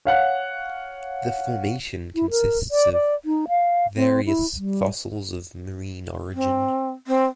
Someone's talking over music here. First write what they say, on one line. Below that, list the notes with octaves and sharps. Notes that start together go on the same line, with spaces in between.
The formation consists of various fossils of marine origin.
C#5 F5 F#5 F#6
E4
A#4
D5
D5
D#4
F5
C4
E4
G3
C4
C4